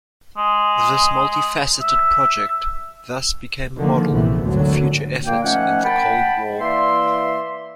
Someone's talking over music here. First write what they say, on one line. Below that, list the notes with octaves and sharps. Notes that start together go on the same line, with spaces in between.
This multifacted project thus became a model for future efforts in the Cold War.
G#3
E5
D3 D#3 F3 A#3
A#1 C3 E3 A3 B3
G#1 D2 D3 F#3
A#2 A#3 G5
D#3 F3 A3 C#4 F#5
F#5 G5 A5 B5
E3 A#3 D5 E5 C6